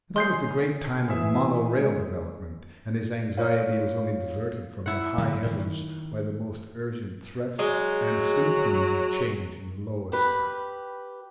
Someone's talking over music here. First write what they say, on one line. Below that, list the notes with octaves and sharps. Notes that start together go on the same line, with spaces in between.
But that was the great time of mono-rail development, and his anxiety was only diverted from the high heavens by the most urgent threats and symptoms of change in the lower sky.
G#4 C#5 C6 G6 C7
E3 G#4 E5
G#3
F4 C#5 F5
E4 F#5
D3 F#3 G#3
D2 A2 D#3
D#3
F#3 G#3
G4 B4